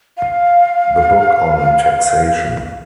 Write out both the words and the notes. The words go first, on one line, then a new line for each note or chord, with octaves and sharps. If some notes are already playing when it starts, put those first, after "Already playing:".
"The Book On Taxation".
F5